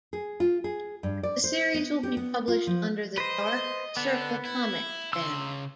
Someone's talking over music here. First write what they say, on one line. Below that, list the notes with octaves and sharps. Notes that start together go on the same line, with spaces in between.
The series will be published under the Dark Circle Comics banner.
G#4
F4
G#4
G2
D5
C5
B3
G4
B3
F4
F3
B4 C5 D#5
D3 B3
E4
C#3 C6 E6